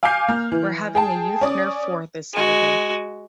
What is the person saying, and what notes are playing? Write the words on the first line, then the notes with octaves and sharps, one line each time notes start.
We're having a youth nerf war this Saturday.
F5 G#5 D6 F6 G6 C7
A#3 F6
E3
G#4 G5 A5
C#4 D5 D#6
G#3 F#4